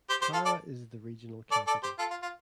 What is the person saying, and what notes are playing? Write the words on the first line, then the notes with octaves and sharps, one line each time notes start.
Kara is the regional capital.
G4 C5
G4 C5
F4 A4
A4 D5
A4 D5
A4 D5
G4 C5
F4 A4
F4
F4